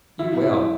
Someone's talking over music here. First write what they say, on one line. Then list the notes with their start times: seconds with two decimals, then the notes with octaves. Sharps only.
You will.
0.19 E4
0.43 E4